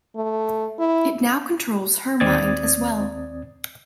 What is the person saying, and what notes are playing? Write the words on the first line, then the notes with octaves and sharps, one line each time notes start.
It now controls her mind as well.
A3
E4
D#2 C4 D5 D#6 G#6 A6